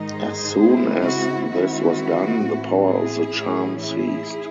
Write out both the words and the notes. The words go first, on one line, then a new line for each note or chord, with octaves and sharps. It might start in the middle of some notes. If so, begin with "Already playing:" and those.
As soon as this was done, the power of the charm ceased.
Already playing: G#2 D#3 G#3 D#4
G#4 C5
C#3 G#3 C4 E4
F#4
D#3 G#3 C4 E4 F#4
A2 E3 A3 C4 E4
E4 G#4
A2 E3 A3 C#4
E4 G#4